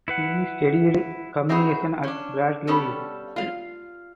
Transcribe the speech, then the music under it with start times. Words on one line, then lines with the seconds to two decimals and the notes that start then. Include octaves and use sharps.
He studied communications at Bradley.
0.08 E4 B4 F#5
1.49 C4 D#4 E4 F#4 G#4
2.03 C#4 D4
2.67 G3 B3 C#4 A4
3.36 F4 F5